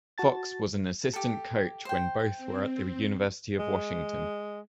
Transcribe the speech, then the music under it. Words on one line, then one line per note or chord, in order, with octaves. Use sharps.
Fox was an assistant coach when both were at the University of Washington.
F#4 A5 A6
G4 A4
C5 G5
C4
G#3